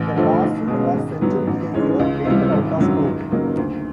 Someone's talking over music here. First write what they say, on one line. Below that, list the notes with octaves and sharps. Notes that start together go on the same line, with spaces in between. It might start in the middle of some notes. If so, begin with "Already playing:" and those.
The lawsuit was settled a year later out of court.
Already playing: A1
G2 D3 F3 A3
B1
B2 G#3 C#4
G#1
G2 D3 F#3 B3
A1
G#2 E3 G#3 C#4
C#2
C3 E3 G3
G#1
F#2 D3 F#3
C#2
C#3 F#3 A#3 D#4
D2